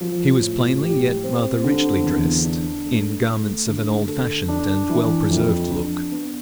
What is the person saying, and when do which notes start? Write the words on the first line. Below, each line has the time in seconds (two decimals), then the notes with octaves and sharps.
She was plainly yet rather richly dressed, in garments of an old-fashioned and well-preserved look.
0.01 F3
0.41 A2
0.83 G4
1.23 C4
1.64 D3
2.04 E2
2.44 D4
2.86 A3
3.26 A3
3.68 D3
4.07 A4
4.48 D4
4.90 E3
5.30 F2
5.71 D4
6.12 B3